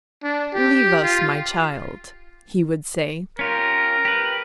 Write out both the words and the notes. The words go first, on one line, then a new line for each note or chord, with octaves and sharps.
"Leave us, my child," he would say.
D4
G4
F4
C#4 F4 G4 A#4
G4 B4